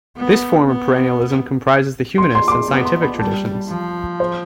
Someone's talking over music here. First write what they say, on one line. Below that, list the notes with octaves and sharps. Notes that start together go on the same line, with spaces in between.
This form of perennialism comprises the humanist and scientific traditions.
B3
B3
C6
C6
D6
C6
B3
C6
B5
G3 A5
F3
C5